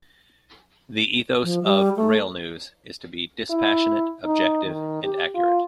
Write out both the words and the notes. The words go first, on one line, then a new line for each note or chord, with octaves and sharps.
The ethos of "Railnews" is to be "dispassionate, objective and accurate".
F3
G3
A3
E4
D#4
D#3
G4
F4